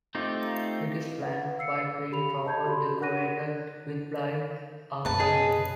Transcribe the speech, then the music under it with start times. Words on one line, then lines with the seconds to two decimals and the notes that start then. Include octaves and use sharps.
It is flanked by twin towers decorated with blind arcading.
0.15 A3 C4 D#4 F4 G4
1.22 B4 F#5
1.58 F5 E6 C7 C#7
2.12 G4 B5 F7
2.45 D#5 A5 G6 G#6
2.64 F#4 G4 A4 B5 C6
3.00 D4 A#4 F#5 F#6 A#6 D#7
5.05 F#2 B2 B4 A5
5.20 G#4 D#5